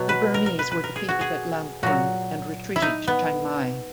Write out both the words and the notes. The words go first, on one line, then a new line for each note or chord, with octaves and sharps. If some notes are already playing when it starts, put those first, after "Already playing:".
The Burmese were defeated at Lamphun and retreated to Chiang Mai.
Already playing: B2 F#3
B4
A#4
A#4
B4
B4
A#4
G#4
F#4
G#4
A#2 F#3 F#4
E4
D#4
B3